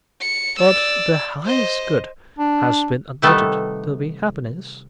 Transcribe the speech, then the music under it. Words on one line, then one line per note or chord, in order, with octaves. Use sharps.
'But the highest good has been admitted to be happiness.'
C#7
D5 E6
C5 D#5
D4
C3 D#3 G3 A3 B3 A4